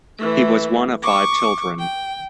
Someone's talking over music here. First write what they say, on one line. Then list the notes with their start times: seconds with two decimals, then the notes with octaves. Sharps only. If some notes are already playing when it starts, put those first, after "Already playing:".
He was one of five children.
0.19 E3 A3
1.02 C#6 D6
1.79 G5